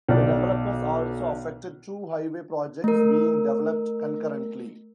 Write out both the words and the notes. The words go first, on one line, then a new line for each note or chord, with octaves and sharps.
The developers also affected two highway projects being developed concurrently.
B1 D5
A3 A#4